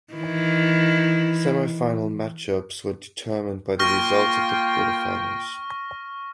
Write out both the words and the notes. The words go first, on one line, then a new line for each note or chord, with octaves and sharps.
Semifinal matchups were determined by the results of the quarterfinals.
D#3 E3 E4
A#3 F4 G5 C#6 F6 A#6